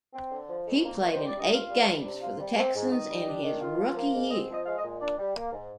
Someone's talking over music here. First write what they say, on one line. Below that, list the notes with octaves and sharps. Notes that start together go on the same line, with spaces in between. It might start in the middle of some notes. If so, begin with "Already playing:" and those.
He played in eight games for the Texans in his rookie year.
C4
D3
F3
F2
A#3
D#3
G3 C5
D5
G2 D#5
F4 F5
G3
D4
C3
F4
G3
C4
G#2
D#3 D#5
G3
D4
D#3
F4
F3
A#3
G#2
C4 D#5
F3 D#5
G#3 F5
D#5
A#2
D4 D5
G3
A#3
G#2